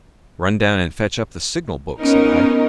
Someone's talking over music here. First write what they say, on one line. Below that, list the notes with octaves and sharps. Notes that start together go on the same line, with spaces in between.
"Run down and fetch up the signal-book," said I.
B3 C#4 D#4 A#4